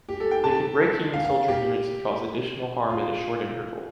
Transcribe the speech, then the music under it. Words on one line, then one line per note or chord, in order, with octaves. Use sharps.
They can break human soldier units and cause additional harm at a short interval.
G4
A4
G5
A5
F5
F5
G4
F4